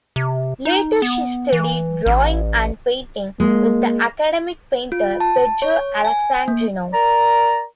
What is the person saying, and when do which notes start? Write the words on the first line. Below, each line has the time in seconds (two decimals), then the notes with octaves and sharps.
Later she studied drawing and painting with the academic painter Pedro Alexandrino.
0.16 C3
0.65 D#4
1.02 B3
1.53 E3
2.06 A1
3.40 G#3 A#3
4.92 F4
5.20 A5
5.62 C#5
6.05 G#5
6.48 A#3
6.92 A#4 D5 A#5